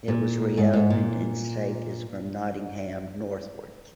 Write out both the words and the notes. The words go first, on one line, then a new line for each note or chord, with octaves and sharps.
It was reopened in stages from Nottingham northwards.
A#2
G#2
G#2
A#2